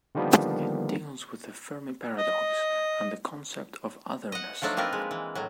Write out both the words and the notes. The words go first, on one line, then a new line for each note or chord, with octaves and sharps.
It deals with the Fermi paradox and the concept of otherness.
D3 D#3 F3 G3 A#3 B3
D#5
D#5 F#5
F3 F#3 A3 D4 D#4
A#3 C4 F4 A#4 B4
G#3
E3
A2 F#3